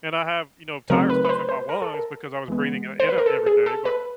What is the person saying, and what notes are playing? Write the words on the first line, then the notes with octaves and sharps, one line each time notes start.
and I have, you know, tire stuff in my lungs because I was breathing it in, uh, every day, but
C#3 F#3 A3 C4 D#4 A#4
B4
B4
C5
C5
A#4
A4
A#4
E3 G#3 B3
C5
B4
A#4
A4
G#4
A4
B4